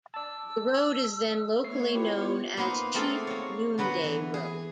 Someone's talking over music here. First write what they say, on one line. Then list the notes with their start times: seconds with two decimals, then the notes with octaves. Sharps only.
The road is then locally known as Chief Noonday Road.
0.14 D5 A5 E6
1.64 A3 B3 C#5 C7
1.95 E4 F4 G4
2.57 A#3 B3 D#4 B4 C5
2.95 A3 A#3 C4 F4 G#4 A4
3.27 A#3 C#5
3.78 D3 F#3 B3 B4
4.04 E3
4.34 G#4